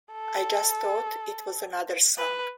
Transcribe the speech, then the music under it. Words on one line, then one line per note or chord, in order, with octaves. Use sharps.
I just thought it was another song.
A4
B4